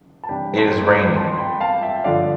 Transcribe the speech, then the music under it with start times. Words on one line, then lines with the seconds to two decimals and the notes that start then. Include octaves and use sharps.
It is raining.
0.24 A5
0.29 C3 E3 G3 D4 G5 B5
0.58 A5 C6
0.87 B5 D6
1.16 A5 C6
1.33 C6
1.38 G5 B5
1.60 F5 A5
1.83 E5 G5
2.04 G2 D3 F3 D5 F5